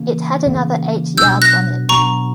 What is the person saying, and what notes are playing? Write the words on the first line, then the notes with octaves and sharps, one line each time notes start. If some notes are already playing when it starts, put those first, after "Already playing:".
It had another eight yards on it.
Already playing: C#3 E3 A#3 C#4
C#3 E3 A#3 C#4
B2 F#3 B3 D4 E6 G6
F#6 A#6
B2 F#3 B3 D4 A#5 C#6